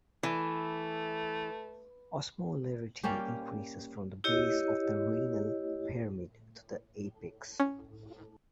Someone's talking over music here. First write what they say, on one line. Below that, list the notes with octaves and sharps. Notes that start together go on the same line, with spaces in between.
Osmolarity increases from the base of the renal pyramid to the apex.
E3 A3
G3 A#3 C#4 G4
E4 G4 C#5 D#5
C#4